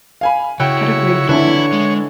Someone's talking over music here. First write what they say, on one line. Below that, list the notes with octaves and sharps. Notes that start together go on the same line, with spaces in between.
Had a great time.
F5 G#5 B5
C#3 E4 F#4 C#5 G5
D3 E3 E4 C#5 E5
G#3